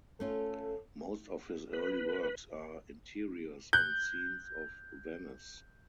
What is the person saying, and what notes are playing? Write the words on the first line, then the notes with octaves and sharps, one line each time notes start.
Most of his early works are interiors and scenes of Venice.
A3 C#4 F4 A4
B4
F#6 G6